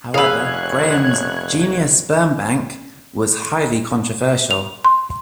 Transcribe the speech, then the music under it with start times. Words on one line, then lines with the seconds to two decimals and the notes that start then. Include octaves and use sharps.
However, Graham's "genius sperm bank" was highly controversial.
0.14 F1 G#4 B4 C#5 F5 E6 F#6 G#6
4.51 F7
4.85 C6